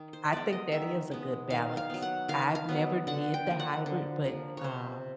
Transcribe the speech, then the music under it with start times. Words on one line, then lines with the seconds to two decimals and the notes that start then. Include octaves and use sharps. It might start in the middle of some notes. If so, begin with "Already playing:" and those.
I think that is a good balance. I've never did the hybrid, but, um,
Already playing: D#3
0.13 C5
0.32 G#3 B3 D5
0.53 D#5
0.72 D#3 E5
1.11 G#3 B3
1.50 D#3 F5
1.77 F5
1.90 F#3 B3
2.02 F#5
2.28 D#3 F5
2.55 F5
2.69 F#3 B3
3.07 D3 F#5
3.34 G5
3.47 F3 A#3
3.60 F#5
3.86 D3
4.25 F3 A#3
4.57 C#5
4.64 C3 C5